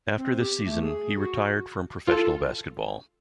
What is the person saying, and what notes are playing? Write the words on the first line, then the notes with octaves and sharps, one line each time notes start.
After this season, he retired from professional basketball.
C4
G4
A3
G#4
F#4
F4 A4